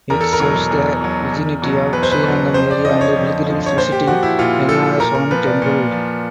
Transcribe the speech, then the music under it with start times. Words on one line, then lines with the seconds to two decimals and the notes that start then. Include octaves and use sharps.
It serves the vicinity of Srirangam Area and pilgrims visiting Ranganathaswamy Temple.
0.10 E2 A#4
0.21 A4
0.33 A#4
0.40 B2 F#3
0.71 E2
1.01 B2 F#3
1.32 E2
1.62 B2 F#3
1.93 E2 B4
2.03 C5
2.12 B4
2.23 B2 F#3
2.54 F2 C5
2.71 D5
2.85 D3 F3 D#5
3.01 C#5
3.16 F2
3.46 D3 F3
3.66 C#5
3.77 A#2 C5
3.92 G4
4.07 F3 F#4
4.23 E4
4.39 A#2 F4
4.69 F3 A4
5.00 A#2 A#4
5.15 A#4
5.31 F3 B4
5.47 D5
5.62 A#2
5.91 F3